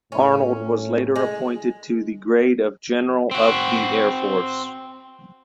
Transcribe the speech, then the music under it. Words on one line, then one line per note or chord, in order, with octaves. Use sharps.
Arnold was later appointed to the grade of General of the Air Force.
A2 C#4
G#3
C4 F#4